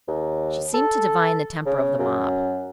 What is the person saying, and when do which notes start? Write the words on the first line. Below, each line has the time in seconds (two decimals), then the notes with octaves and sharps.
She seemed to divine the temper of the mob.
0.08 D#2
0.74 A4
1.66 C#3
1.99 F#2